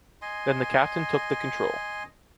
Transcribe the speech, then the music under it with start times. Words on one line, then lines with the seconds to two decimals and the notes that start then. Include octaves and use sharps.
Then the captain took the control.
0.22 D#5 G#5 C6